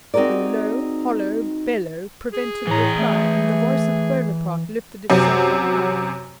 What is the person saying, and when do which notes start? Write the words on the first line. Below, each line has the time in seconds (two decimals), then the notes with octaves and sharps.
A low hollow bellow prevented reply, and the voice of Bonaparte lifted itself on high.
0.14 C4 D#4 F#4 G#4 A#4 D5
2.33 G#4
2.67 A2 E3 A#5
2.99 A3
5.10 F#2 C3 F#3